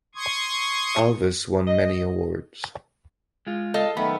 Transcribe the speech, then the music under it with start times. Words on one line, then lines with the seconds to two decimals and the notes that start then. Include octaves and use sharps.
Alves won many awards.
0.15 C6 C#6 D#6 G#6
1.67 D#5
3.47 G#3 F4
3.74 A4 D#5 F5
3.97 F#2 D#3 A3 B3 B5